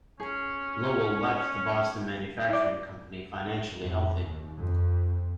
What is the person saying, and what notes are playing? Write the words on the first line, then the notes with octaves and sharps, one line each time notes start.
Lowell left the Boston Manufacturing Company financially healthy.
C#4 G#4
E4 D5
F2
D#2
F2